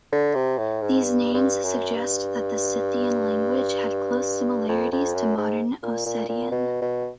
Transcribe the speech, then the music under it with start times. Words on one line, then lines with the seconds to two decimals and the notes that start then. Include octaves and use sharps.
These names suggest that the Scythian language had close similarities to modern Ossetian.
0.12 D3
0.35 C3
0.58 A2
0.81 G#2
1.04 G2
1.34 G2
1.65 F#2
1.95 G2
4.69 F2
4.92 F2
5.15 F#2
5.38 G#2
5.83 A#2
6.06 A#2
6.29 A#2
6.51 B2
6.82 B2